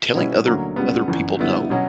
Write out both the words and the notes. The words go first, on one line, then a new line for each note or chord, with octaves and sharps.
telling other other people no.
B2 G3 C#4 E4 B4
D2 D3 F#3 A#3 C#4
C#2 C#3 G3 B3
G1 F#2 E3
D3 G3 B3 E4
B2 F#3 C#4 F#4